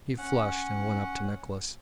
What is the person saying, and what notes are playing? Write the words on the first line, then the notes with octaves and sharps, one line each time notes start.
He flushed and went up to Nicholas.
C#4 F#5